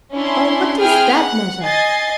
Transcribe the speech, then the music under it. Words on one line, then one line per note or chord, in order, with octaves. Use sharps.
'Oh, what DOES that matter!
C#4 D4 E4 C6
C4 E4 G#4 G5 F6
F#5
D#5 G#5 A6 C7